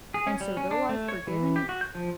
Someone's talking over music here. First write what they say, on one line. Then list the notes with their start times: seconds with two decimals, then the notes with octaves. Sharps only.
and so though I've forgiven,
0.14 G#4
0.27 C#4
0.40 G3
0.57 C#4
0.71 D4
0.89 A3
1.09 C#5
1.27 E3
1.56 G4
1.69 F#4
1.81 G6
1.95 F3